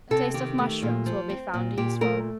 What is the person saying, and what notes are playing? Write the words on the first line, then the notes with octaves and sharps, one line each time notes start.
A taste of mushrooms will be found useful.
C3 A4
D#3 G4
A3
A#2
F3
C4
A#2
A#2 G4
A3 A#4